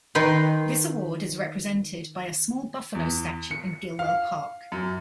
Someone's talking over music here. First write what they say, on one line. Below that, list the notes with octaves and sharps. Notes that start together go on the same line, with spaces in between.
This award is represented by a small buffalo statue in Gilwell Park.
D#3 B4 G5 C6
E2
C#7
F5
F#2